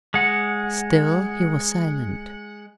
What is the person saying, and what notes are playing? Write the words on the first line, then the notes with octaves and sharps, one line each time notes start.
Still he was silent.
G#3 F#5